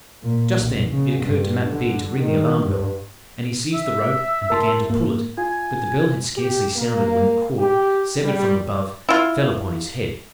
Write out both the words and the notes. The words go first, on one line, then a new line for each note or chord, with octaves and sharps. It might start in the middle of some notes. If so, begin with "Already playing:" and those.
Just then, it occurred to Mat Bee to ring the alarm-bell, and he seized the rope, and began to pull it; but the bell had scarcely sounded, when the cord, severed from above, fell upon his head.
A#2
B1
C#3
G2
D3
D#3
G2
E5
A#4 A5 C6
G#2 A#3
F4 G#5
G4
A#3
G4
G3
E4 F4